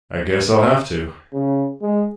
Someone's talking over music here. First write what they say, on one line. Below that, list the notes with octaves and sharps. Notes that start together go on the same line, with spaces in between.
I guess I’ll have to.
C#3
G#3